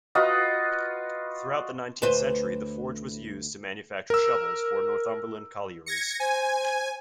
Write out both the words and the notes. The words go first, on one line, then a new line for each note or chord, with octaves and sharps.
Throughout the nineteenth century the forge was used to manufacture shovels for Northumberland collieries.
F4 F#4 B4 D#5
D2 B4 C5
A#4 E6
G#6 A#6 C#7
C5 G#5